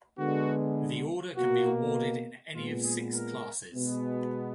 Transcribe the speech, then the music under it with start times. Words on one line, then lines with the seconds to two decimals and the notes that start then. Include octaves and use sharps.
The Order can be awarded in any of six classes.
0.18 D3 G#3 B3 F#4
1.36 B2 A#3 F#4
2.54 A#2 G#3 B3 F4
2.85 G#4
3.14 A#4
3.73 B2 G#3 B3